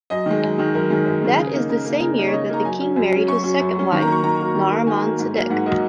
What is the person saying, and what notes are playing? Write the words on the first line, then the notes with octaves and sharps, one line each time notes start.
That is the same year that the king married his second wife Narriman Sadek.
F#2 D#5
D#3 G#3
F#2
D#3 G#3
F#2 A#4
D#3 G#3
F#2
D#3 G#3
C#3 G#4
A#3 D#4
C#3 A#4
A#3 D#4
C#3 A#4
A#3 D#4
C#5
C#3 D#5
A#3 D#4 A#5
F#2 G#5
F#3 C#4
F#2
F#3 C#4
F#2 C#6
F#3 C#4
F#2
F#3 C#4
D#3 C#6
A#5
F#3 A#3 C#6
D#3 A#5
F#3 A#3
D#3
F#3 A#3
D#3 G#5
F#3 A#3
G#2
F#3 A#3
G#2 F#5
F#3 A#3 D#5